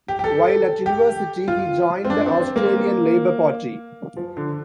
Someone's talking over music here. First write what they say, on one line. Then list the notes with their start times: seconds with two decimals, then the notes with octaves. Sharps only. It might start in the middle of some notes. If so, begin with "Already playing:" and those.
While at university, he joined the Australian Labor Party.
0.08 G4
0.19 G4
0.24 A4
0.86 G4
1.48 F4
2.05 C4
2.10 D4
2.26 C4
2.41 C4
2.56 A#3
4.17 F3
4.37 D3